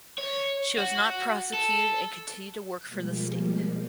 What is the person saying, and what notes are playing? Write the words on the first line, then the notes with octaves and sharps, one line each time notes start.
She was not prosecuted and continued to work for the state.
C#5
F#4
A4
B2 F3 G3 G#3 A#3